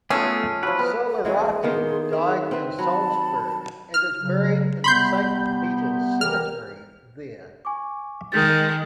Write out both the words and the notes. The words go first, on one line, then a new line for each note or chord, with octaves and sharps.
Solari died in Salzburg and is buried in the Saint Peter's Cemetery there.
A3 B3 C#4 F4 G#4 A4 E5
F3 F#3 B4
B3 A#4
A4 F#5
E3 G#3 C4 G#4
D#3 A#3 B3 C6
C4 E5
C4 B4
F#3 A5 B5
F6
C#3 F#3
C3 G3 B3 B5 C6 G6
E3 G4 A#4 F6
G#5 C#6 D6
D#3 G#3 G6 A6